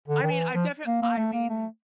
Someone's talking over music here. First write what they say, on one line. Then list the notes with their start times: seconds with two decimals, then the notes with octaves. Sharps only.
I mean, I def I mean,
0.08 D3
0.23 D#3
0.31 E3
0.54 F3
0.87 A#3
1.02 A#3
1.18 A3
1.33 A#3
1.49 A3